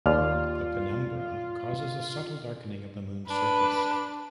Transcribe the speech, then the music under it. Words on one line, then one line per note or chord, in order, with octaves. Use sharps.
The penumbra causes a subtle darkening of the moon's surface.
D#2 F4 D5 F6
D4 B4